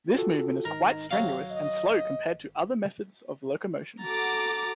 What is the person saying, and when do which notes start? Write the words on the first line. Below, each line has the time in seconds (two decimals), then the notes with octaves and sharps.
This movement is quite strenuous and slow compared to other methods of locomotion.
0.14 F4 F#4 A4
0.65 G#1 D#4 A#4
1.11 C3 F#3 F5
1.52 D#5
4.03 F#4 A4 A#5 D6 A6